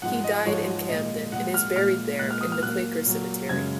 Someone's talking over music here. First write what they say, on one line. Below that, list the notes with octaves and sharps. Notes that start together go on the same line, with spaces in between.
He died in Camden and is buried there in the Quaker Cemetery.
G#2 F3 G#3 F#5
D#5
G#2 F3 G#3 C#5
A#2 G#3 D#5
A#2 G#3 F#5
F6
A#2 G#3 F6
A#2 G#3 F#6
F6
D#6
F6
A#2 F#3 A#3 F#6
A#2 F#3 A#3
F#2 C#3 G#3 G#6